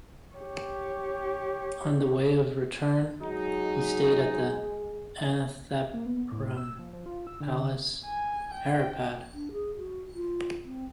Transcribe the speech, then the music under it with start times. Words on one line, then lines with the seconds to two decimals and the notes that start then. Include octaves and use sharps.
On the way of return, he stayed at Ananthapuram Palace, Haripad.
0.36 G4 C#5
3.20 F#3 G#3 D#4
5.94 A#3
6.06 B3
6.32 A2
6.57 E6
6.79 F3
6.93 F3
7.06 F4
7.27 E6
7.41 D3
8.05 G#5
8.54 G5
9.34 D4
9.52 G#4
9.77 F#4
10.14 F4
10.65 C4